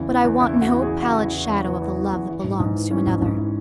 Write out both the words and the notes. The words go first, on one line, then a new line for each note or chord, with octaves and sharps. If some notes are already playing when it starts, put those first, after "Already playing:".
But I want no pallid shadow of the love that belongs to another.
Already playing: E2 C#3 E4
E3
E2
C#3 E4
E2
F#4
E3
E2 G#4
C#3 F#4
E2
E4
E3
C#4
E2
C#3 B3
E2
E3
E2
E3
G#2
G#2
E3
E3 C#4
G#2
G#2
E3